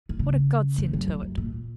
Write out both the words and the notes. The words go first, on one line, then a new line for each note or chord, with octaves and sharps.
What a godsend to it!
D#3
C#3
F2
F#2
F2
F#2
A#2